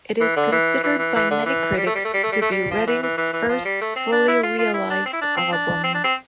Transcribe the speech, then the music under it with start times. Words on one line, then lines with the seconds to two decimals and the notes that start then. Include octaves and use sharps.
It is considered by many critics to be Redding's first fully realized album.
0.20 E3
0.36 D3
0.52 E3
0.83 E3
0.98 E3
1.15 E3
1.30 D3
1.46 E3
1.77 G3
1.86 A3
1.95 G3
2.05 A3
2.13 G3
2.23 A3
2.32 G3
2.42 A3
2.51 G3
2.71 F3
2.87 E3
3.02 E3
3.17 E3
3.33 E3
3.49 F3
3.65 G3
3.81 A3
3.96 C4
4.12 D4
4.28 E4
4.43 F4
4.58 F4
4.74 E4
4.90 D4
5.05 C4
5.13 E4
5.21 D4
5.37 C4
5.52 D4
5.83 C4
5.94 D4
6.04 C4